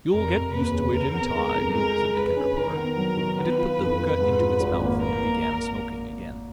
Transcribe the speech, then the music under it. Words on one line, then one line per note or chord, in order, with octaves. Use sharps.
'You'll get used to it in time,' said the Caterpillar; and it put the hookah into its mouth and began smoking again.
F1 A#4
F1
D#2 B4
C#3
C#3 A#4
B3
G#3
F2
G#3 A#4
C#3
G#3 B4
C#4
D#3 A#4
B3
F#3
D#3
B3 B4
F4
F2
F2
G#2
F3
G#1
A#3
A#3 A#4
A#3